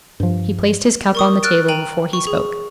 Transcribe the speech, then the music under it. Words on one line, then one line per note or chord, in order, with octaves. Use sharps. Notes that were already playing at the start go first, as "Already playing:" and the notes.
He placed his cup on the table before he spoke.
G2 F3
A#4 C#6 D#6
F6 F#6 A6 D7
G5 A#5 D#7 F#7
C#6
G#4